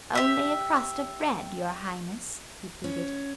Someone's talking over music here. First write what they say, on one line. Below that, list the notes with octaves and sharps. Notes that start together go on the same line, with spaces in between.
"Only a crust of bread, your Highness!" he pleaded.
G4 E5
C#4